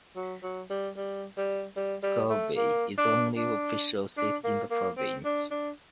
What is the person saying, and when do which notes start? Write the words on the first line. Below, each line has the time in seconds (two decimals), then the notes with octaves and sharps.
Galway is the only official city in the province.
0.16 F#3
0.43 F#3
0.70 G3
0.97 G3
1.37 G3
1.76 G3
2.03 G3
2.30 A3
2.57 A#3
2.98 D4
3.37 D4
4.17 D4
4.44 A#3
4.71 A#3
4.97 C4
5.25 D4
5.51 D4